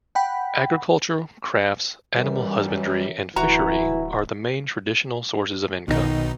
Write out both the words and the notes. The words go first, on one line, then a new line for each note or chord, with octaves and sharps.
Agriculture, crafts, animal husbandry and fishery are the main traditional sources of income.
F#5 G5 B5
F#2 E3 G3
D1 E3 E4 F#4 A#5
B1 B2 D#3 D#4